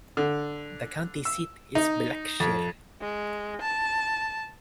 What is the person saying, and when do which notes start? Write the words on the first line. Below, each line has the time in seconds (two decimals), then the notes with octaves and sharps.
The county seat is Blackshear.
0.17 D3
1.25 E6
1.75 D#4
2.40 F2
3.01 G#3
3.61 A5